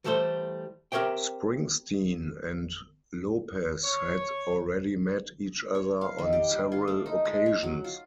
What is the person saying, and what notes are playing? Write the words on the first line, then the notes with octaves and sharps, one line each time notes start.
Springsteen and Lopez had already met each other on several occasions.
E3 G3 A3 A4 C5
C4 G4 A#4 C#5 E5 G5
C#5
C#5
F5
D#3
G4
G3
F4
A3
D#4
G#3
C#5
F#3
F4